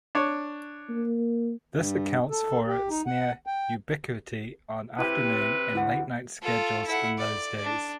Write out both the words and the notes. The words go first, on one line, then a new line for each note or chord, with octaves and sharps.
This accounts for its near-ubiquity on afternoon and late-night schedules in those days.
D4 C#5
A#3
G2
A4
G4
D#4
F#5
G5
C3 E4 G4 B4
D2 E4 F#5
F4 A4
E4 F#5
D5
D4